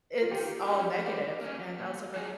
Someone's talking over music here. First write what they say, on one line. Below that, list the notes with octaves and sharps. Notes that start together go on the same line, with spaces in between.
it's all negative. And I was, like, going,
F4
D#3 G4
G3 C#4 F4 G4
G3
A#3 C#4
A#2
F3 G#3 D#4 G#4